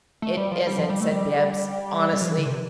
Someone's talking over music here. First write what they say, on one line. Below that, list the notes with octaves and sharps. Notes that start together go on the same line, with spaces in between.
"It isn't," said BIBBS, honestly.
A3
G3
F3
G3
F3
G3
A3
G3
G3
F3
E3
D3
C3